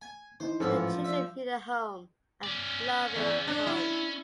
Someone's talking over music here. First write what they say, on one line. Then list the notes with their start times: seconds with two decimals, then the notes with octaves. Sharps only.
The children need a home, a loving home.
0.02 G#5
0.40 E3 D#4 C5
0.60 A1 G#2 F3 C#4 E4 A4 C5
1.04 D4 E5
2.44 C#4 D5
3.16 E2
3.47 D4
3.66 E4